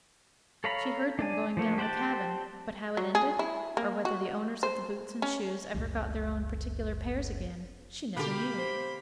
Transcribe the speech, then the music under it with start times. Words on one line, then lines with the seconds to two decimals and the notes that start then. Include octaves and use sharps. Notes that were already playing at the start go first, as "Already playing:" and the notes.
She heard them going down the cabin; but how it ended, or whether the owners of the boots and shoes ever got their own particular pairs again, she never knew.
0.64 A4 C#5 F5 A#5 B5
1.19 D4 D5 G#5
1.57 F3 A3 A#3
1.78 G4 C5 F#5 G5 A5
2.97 F#3
3.15 G#4
3.39 E4
3.77 A#3
4.05 F#4
4.63 C5
5.22 C#4
5.74 F#1 C#2
8.17 B2 D3 A#3 G4 B5
8.59 C5